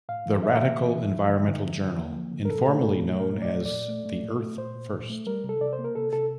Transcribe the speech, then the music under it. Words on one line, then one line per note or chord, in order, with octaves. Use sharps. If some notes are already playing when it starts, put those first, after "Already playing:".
The Radical Environmental Journal", informally known as the "Earth First!
A2 F5
E3
A2 E5
A#3
E3
E3
F3
D3
D3
F3
D3
A#3
F3
D3
A#4
A#2 A4
A3
A#2
A3
A#2 A#4
A3 D5
A#2
D5
A#2
A3
A3
A#2
A3
A#2 C5
A#2
A#2
A3
G3 A#4
C3
A4
C3 D5
C5
A#3
A#4
C3 A4
C3 A4